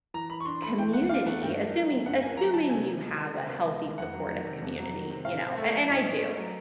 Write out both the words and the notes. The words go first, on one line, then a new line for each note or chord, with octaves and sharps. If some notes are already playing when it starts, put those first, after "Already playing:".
community assuming assuming you have a healthy supportive community, you know, and and I do.
E3 A#5
E3 B5
C#6
D4 C6
A3 B5
E3 G5
E3 F#5
D4 F5
A3 F#5
G2 G5
A#3
F#3
D3
G2 F#5
A#3 G#5
F#3 A#5
D3 A5
C3 G#5
B3
G#3
D#3
C3
B3
G#3
D#3
F2 F#5
F#3
D#3
C3
F2
F#3
D#3
C3
A2 F5
C4
A3 E5
F#3
A2 D#5
C4
A3
F#3